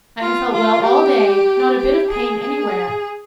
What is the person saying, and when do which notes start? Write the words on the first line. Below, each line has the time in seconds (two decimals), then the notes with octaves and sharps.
I have felt well all day; not a bit of pain anywhere.
0.20 F4
0.52 F4
0.83 G4
1.78 G4
2.10 G#4
2.41 G#4